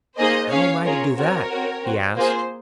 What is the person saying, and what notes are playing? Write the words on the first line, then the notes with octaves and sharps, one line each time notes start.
'How am I to do that?' he asked.
A#3 D#4 G#4 C5 D#5
C#4 G#4 C#5 F5
C#4 F4 G#4 A#4 C#5
C4 F#4 A#4 C#5
C4 F#4
C4 F#4
A#3 F4 G#4 C5